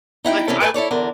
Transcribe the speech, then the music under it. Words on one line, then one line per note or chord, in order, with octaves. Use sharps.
like I
D#4 E4 F#5 G5
C3 E3 G3 C#4 E4 A4
G#4 B4 D5 G#5 A5
E4 A4 C#5 D5
E2 D3 A#4